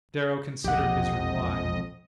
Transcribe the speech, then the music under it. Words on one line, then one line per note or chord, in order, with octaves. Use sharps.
Darrow considered his reply.
E1 A#1 F2 G4 D#5 F#5